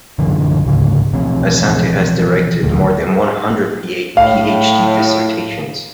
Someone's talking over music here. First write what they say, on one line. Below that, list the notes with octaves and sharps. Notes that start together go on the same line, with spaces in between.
Asante has directed more than one hundred PhD dissertations.
A#1 F#2 D3 E3
D2 G#2 C#3
B2 E3 F3 C4
D#1 D2
A2 F5